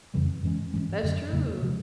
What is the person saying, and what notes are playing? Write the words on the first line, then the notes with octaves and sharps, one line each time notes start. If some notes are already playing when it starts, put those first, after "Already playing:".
That's true.
F2 C#3 E3 G3
G2 E3 G#3 C#4
G2 E3 G#3 C#4
F#2 D3 F#3
E2 C#3 F#3 A#3
C3 F3 G#3